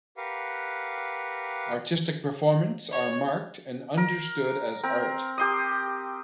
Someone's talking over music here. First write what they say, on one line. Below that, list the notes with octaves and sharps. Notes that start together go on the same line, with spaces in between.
Artistic Performance are marked and understood as art.
G4 A#4 B4 F5 F#5
C#5
A#4
C4 A#4
G4 C6 D#6